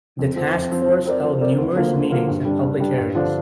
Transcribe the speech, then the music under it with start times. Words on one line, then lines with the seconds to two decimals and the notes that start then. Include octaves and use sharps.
The task force held numerous meetings and public hearings.
0.19 F2
0.36 F3 C4
0.54 F2
0.72 F3 C4
0.89 F3
1.06 C4 A#4 D5
1.23 F3
1.41 C4 A#4 D5
1.58 D2
1.76 D3 F3 A#3 F4
1.93 D2
2.10 D3 F3 A#3 F4
2.28 G2
2.45 G3 D4
2.63 G2
2.80 G3 D4
2.98 G2
3.15 D3 F3 D4 F4